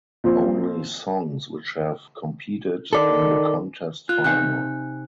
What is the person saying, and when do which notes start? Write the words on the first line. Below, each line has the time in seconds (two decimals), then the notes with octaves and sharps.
Only songs which have competed in the contest final.
0.24 A#2 F3 C4
2.93 D#3 A4 D5
4.09 F4 F#6
4.24 C3 D#4 F5 G#5 F#6